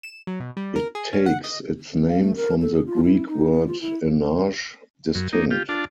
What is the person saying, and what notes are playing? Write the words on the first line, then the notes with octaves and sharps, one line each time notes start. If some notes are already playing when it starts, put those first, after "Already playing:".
It takes its name from the Greek word enarge, distinct.
E7
F#3
B2
G3
A#4
G#4
C#4
F#5
D#5
C4
F5
A3
A#4
A4
G#4
F4
E4
D#4
B3
F4
E4
F#2
A#3 D#4
F4 G4
D4 F4 A5